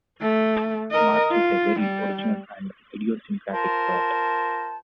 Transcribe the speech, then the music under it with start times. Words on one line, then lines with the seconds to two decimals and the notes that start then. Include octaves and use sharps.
March is a very original and idiosyncratic poet.
0.21 A3
0.92 A#4 D#5
1.31 F4
1.80 G3
3.52 F4 A#4 C5 A5